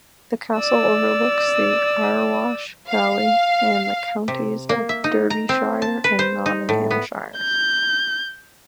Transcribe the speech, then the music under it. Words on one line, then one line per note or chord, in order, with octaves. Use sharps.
The castle overlooks the Erewash valley and the counties of Derbyshire and Nottinghamshire.
D5 E6
F5
C3
A#3
E5
D#4
A#5
C4
A5
B4
C5
D#4
A2
B3
G6